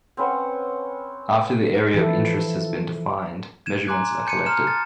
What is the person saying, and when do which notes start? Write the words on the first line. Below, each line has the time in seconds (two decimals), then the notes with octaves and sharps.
After the area of interest has been defined, measurements are collected.
0.17 C4 C#4 B4 F#5
1.94 E3 F3 E4 A4
3.66 G#6 D#7 E7
3.87 G#5 A#5 C6 D6 F#6 G#6
4.26 A5 G6 C#7 D#7
4.46 A#5 C6 F6 E7
4.67 A6